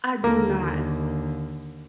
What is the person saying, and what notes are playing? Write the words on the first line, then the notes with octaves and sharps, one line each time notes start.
I do not.
D#2 D3 A#3 A4 A#4